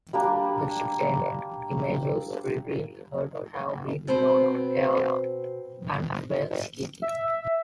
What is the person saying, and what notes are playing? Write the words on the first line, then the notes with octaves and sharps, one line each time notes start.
Extant images reveal her to have been blonde-haired and fair-skinned.
G3 A#3 D4
B2 C4 B4 C5
E5